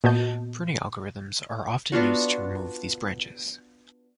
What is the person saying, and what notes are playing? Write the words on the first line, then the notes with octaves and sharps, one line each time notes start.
Pruning algorithms are often used to remove these branches.
A#2 B3 F#4 D#5 A5 G6
B3 D4 F4 F#4